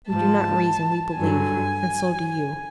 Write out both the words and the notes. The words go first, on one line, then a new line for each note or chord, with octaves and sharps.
We do not reason--we believe; and so do you.
G#2 F3 A5
G2 D3 F#3 G#5